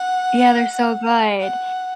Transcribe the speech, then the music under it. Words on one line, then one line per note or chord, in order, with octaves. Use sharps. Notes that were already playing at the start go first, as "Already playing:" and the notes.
Yeah, they're so good.
Already playing: F#5
F#5